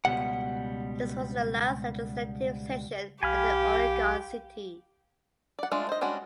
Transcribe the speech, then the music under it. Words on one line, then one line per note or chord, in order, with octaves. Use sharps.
This was the last legislative session held in Oregon City.
C#2 B2 G3 F#5
B1 G4 F5 G#5 B5 F6
D5 F#5
G#3 A3 D4 F4
C5 D#5
G3 G#3 C#4 D4 F#4